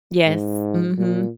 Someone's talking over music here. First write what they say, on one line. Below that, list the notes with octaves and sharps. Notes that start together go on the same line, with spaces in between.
Yes, mhm.
G#2
A#2